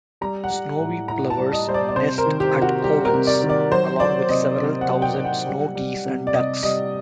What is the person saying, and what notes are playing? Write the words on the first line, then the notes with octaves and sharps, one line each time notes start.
Snowy plovers nest at Owens along with several thousand snow geese and ducks.
G3 A#5
F#5
G3
A2
A2 A#5
A5
G3
D#5
G3 C5
D5
D5
C3 C5
A#4
D#3
G4
C3
F#4
G3 G4
A#4
C3
D5
D#3
D5
F#3 C5
F#3 D5
C3 D#5
C3 D5
F#5
F#3
G5
F#3
F#5
G3
G3
C3
D5
C3 D#5
G3 D#5